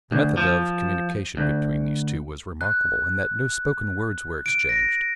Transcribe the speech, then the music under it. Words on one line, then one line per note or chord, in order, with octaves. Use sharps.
The method of communication between these two was remarkable in that no spoken words were exchanged.
D2
F3
D2
F#6
D7
A#6